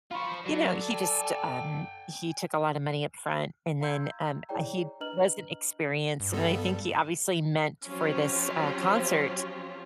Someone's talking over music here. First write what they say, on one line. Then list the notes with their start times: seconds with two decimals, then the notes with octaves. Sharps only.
you know, he just, um, he took a lotta money up front, and, then, um, uh, he wasn't experienced. And I think he obviously meant for this, uh, concert
0.11 F4 C5 B5 C#6
0.46 F#3 A4 D5
0.89 G5 G#5
3.81 F5 A#5 C6 E6 G6 G#6
4.49 E4 G#4 C#5 D5 G5 A#5
5.00 D4 B4 D#5 A#5 F6 F#7
6.20 G2
6.33 G3 B3 A4
7.86 F3 F#3 C4 C#4 F4 G4